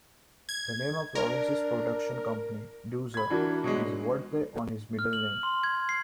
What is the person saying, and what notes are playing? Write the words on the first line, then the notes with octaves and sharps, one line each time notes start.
The name of Lawrence's production company, Doozer, is wordplay on his middle name.
G#6
D4 A#4
B5 G#6
E3 D4 F#4 A#4
B2 F#3 G#3
F6
F#7
C6
G#6
C7